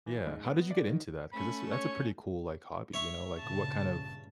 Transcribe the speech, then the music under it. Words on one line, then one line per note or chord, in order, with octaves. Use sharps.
Yeah, how did you get into that, 'cause this that's a pretty cool, like, hobby, you know like, what, kind of,
E3
G#2
B3
D5
D#3
A3 C#4 B5
C#5
C#5 E5 C#6
G2 A#2 C#3 A5